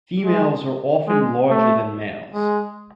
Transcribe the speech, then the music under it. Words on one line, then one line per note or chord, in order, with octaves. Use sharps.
Females are often larger than males.
G#3
G#3
A3
G#3